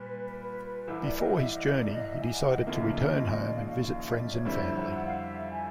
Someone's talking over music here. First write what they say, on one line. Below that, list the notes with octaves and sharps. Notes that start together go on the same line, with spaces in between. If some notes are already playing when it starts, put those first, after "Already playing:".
Before his journey, he decided to return home and visit friends and family.
Already playing: A#2 G3 B4
B4
B4
C2 C3 E3
D5
D#5
E5
D#5
D5
D#5
F5
E5
G#5
F#5
D#5
D#2 C#3 F3 A#3 D#4 E5
D#5
D#5
D5
F5
F#5
F5
E5
F5
E5
D#5
D5
C#5
F2 D3 G3 C4 E4 D5
E5
F#5
F#5
F5
E5
E5
G#5